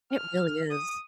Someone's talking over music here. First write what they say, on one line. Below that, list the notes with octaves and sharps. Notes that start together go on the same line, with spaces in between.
It really is.
F6
D#6